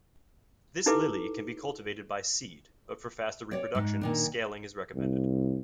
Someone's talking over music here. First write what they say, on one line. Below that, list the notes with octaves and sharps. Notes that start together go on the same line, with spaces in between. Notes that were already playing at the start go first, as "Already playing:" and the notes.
This lily can be cultivated by seed, but for faster reproduction scaling is recommended.
D#4 E4 G4 A4 B4 D6
C#5 D5
G#2
A#2 D#3 D4
C2